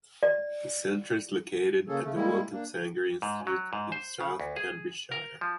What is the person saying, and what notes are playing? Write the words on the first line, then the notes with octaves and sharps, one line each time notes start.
The centre is located at the Wellcome Sanger Institute in South Cambridgeshire.
D5
C#3 A#3 C#4 G#4 A4
C#3 A3
G3 G#3 A#3 E4
A#3 D4
G#2
F#3
G#2
C5
C#3
D2
G#4
A#4
F3